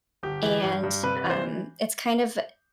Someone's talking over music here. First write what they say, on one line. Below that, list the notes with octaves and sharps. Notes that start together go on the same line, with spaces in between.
and, um, it's kind of
G1 G4
E3
G2
G2
C3 B4
B4
E3
C5